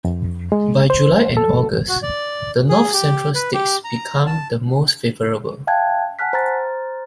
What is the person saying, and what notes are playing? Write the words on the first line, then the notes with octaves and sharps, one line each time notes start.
By July and August, the north-central states become the most favorable.
F2
G#3
C5
A4
F#4
D5
G#4
G4
B4
G4
A#5
A5
E5 F5 G5 A5 F#6 G#6
F#5 G#5 A5 F6 F#6 B6
C5 A#5 F6 A6